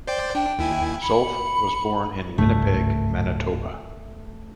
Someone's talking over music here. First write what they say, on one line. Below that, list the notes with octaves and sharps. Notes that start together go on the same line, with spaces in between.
Zolf was born in Winnipeg, Manitoba.
C5 D5 G5
D4 G5
D#2 E4 G#5
B5 C#7
G1 C#2 G#2 A3